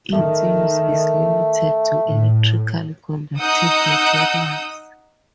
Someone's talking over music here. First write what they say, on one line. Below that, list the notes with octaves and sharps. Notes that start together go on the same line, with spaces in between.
Its use is limited to electrically conductive materials.
D#3 A3
A2
D#4 F#5 D#6 E6 G6